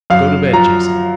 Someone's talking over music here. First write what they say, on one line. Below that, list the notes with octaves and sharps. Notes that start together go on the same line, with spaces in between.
"Go to bed, Jason."
F#2 F5
F3 A#5